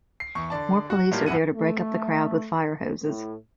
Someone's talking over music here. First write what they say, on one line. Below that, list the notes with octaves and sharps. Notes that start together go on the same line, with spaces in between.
More police are there to break up the crowd with fire hoses.
C7
E2 C#6
D3 D5 A5
F#4 F#5
A2 F#3 G3 A#3 F4
F#2 B2 E4 F#5 D#7
A3
A2